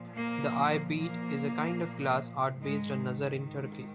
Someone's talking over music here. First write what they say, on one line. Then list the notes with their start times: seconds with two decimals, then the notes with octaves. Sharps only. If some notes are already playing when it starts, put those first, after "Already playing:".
The eye bead is a kind of glass art based on nazar in Turkey.
Already playing: A#2 F3
0.13 A#3
0.97 A#3
2.63 G#2 D#3 G#3